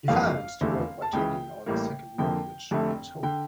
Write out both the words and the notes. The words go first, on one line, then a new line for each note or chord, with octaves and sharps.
He financed the work by taking out a second mortgage on his home.
G1 F2 E3 G3 A#3 F5
F1 E2 D3 A3
A5
C#2 C#3 E3 G5
A1 A2 G3 A#3
F2 D3 F3 A#3 G5
F1 F2 D3 A3
D3 G5